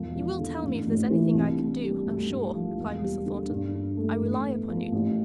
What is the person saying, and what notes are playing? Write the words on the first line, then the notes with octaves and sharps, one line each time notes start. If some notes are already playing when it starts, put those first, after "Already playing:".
'You will tell me, if there is anything I can do, I'm sure,' replied Mr. Thornton. 'I rely upon you.'
Already playing: E1 F3
F3
D3
A1
A1
E3
C2
D4
G3
D2
D2
F3
E1
G3
D3
G2
D4
A3
A1
B3
F3
A1